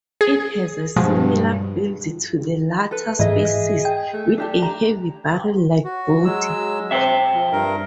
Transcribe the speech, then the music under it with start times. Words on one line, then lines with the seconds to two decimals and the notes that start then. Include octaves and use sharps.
It has a similar build to the latter species, with a heavy barrel-like body.
0.21 G#4
0.96 G2 B2 F3 G#3
2.91 A4 B4
3.19 G#2 E3 G#4 D#5 E5
3.85 G5
4.14 A3
4.38 D4 G4 A5
4.62 G4 A#5
5.84 F#4
6.25 F#3 G#3 E6
6.91 C4 E5 G5
7.34 F3
7.52 G2 A#4